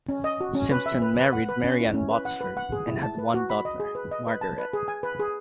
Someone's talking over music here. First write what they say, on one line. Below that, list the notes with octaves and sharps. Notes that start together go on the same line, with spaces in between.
Simpson married Mary Anne Botsford and had one daughter, Margaret.
C#4
D#5
F#4
C#4
B4
E5
B4
B4
F#5
B4
C#4
E4
C#4
B4
F#5
B4
F#5
G#4
E4
A5
B4
F#4
B5
D#5
G#4
B4
D#5
B4
A5
B4
G#4
G#5
B4
G#4